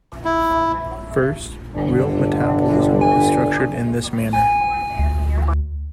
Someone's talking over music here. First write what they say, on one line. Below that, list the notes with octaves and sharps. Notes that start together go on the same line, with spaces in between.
First, real metabolism is structured in this manner.
E4
G1 D3 D4
D2